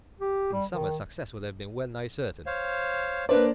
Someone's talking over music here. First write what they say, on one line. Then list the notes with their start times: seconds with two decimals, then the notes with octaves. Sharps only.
In summer, success would have been well-nigh certain.
0.20 G4
0.53 G3
0.71 D#3
2.46 C5 C#5 F5
3.29 A#3 D4 B4 C5 D5